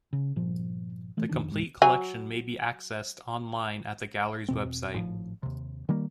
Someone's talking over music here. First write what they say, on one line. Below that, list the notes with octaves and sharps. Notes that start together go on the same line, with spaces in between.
The complete collection may be accessed online at the Gallery's website.
C#3
G1 A#2 F3
E3 A3
F1 D#3 D4
C#2 G#2
F#3 G#5
E2 B2 C4
G#1 A2 D3 F3
D#2 C3
D#3 G3 A#3